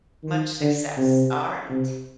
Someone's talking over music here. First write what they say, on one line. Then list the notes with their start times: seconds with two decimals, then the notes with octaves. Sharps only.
Much success. All right.
0.24 D#3
0.61 D3
0.97 C3
1.70 C3